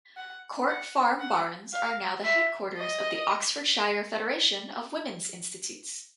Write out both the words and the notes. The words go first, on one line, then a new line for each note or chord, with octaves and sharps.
Court Farm Barns are now the headquarters of the Oxfordshire Federation of Women's Institutes.
F#5
F#5
F#5
F5
E5
D#5